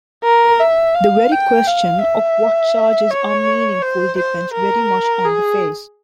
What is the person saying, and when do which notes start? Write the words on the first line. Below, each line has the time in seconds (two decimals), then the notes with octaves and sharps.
The very question of what charges are meaningful depends very much on the phase.
0.24 A#4
0.60 E5
0.95 F5
1.32 G5
1.67 F5
2.02 E5
3.10 C#5
3.82 C5
4.18 C5
4.53 A#4
5.25 G#4